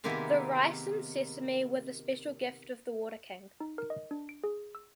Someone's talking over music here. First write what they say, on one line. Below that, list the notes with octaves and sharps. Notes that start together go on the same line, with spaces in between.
The rice and sesame were the special gift of the Water King.
C3 D#3 A#3 B3 G#4 E5
D#4
A#4
D#5
D4
D7
G#4
E6